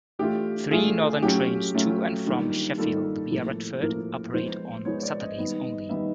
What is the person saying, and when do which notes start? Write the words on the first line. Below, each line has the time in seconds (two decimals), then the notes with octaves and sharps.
Three Northern trains to and from Sheffield via Retford operate on Saturdays only.
0.19 E3 A3 D4 F4 G4
0.71 E3 A3 D4 F4 G#4
1.23 F#3 A3 C#4 F4 G4
1.74 F#3 A3 C#4 F4
2.26 D#3 G3 A#3 D4 F4
2.78 D#3 G3 A#3 D4 F4 A4
3.31 A2 F3 A#3
3.82 A2 F3 A#3 A#4
4.34 F3 G#3 B3 C5
4.85 F3 G#3 B3 C#5
5.03 D5
5.20 D#5
5.38 D#3 G3 B3 D#4
5.89 D#3 G3 B3 D#4 E5